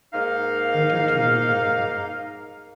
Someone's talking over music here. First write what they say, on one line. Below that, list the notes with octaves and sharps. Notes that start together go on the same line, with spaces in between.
Entertainment editor.
G#2 A#3 D#4 F5